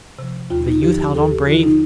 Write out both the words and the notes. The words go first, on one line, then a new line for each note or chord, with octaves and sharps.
The youth held on bravely.
C3 F3
D#2 F4
D#4
D3 F3 G4
G4
D#2 A4
G4
D3 F3 F4
D#4